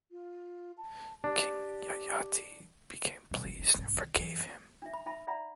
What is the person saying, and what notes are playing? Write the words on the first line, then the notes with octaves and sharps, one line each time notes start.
King Yayati became pleased and forgave him.
F4
A5
D4 G4
B1 D#3
F#1
D#4
C2 G#2
D#3
F#2 E3
D4 D#4 E5
B5
D#4 E5 A5 B5
D5 E5 F#5 A#5 B5